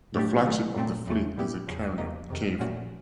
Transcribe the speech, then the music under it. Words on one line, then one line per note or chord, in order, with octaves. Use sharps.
The flagship of the fleet is the carrier "Cavour".
A2 F#3 A3 D4 G4
C3 D#3 F#3 A3
A#2 F#3 A3 C4
E2 C#3 E3 A3
A#2 G3 B3 E4 G4
E2 C#3 F3
E2 C3 F3 A#3 D#4
F2 C3 D#3
A#2 F3 A3 C#4 F#4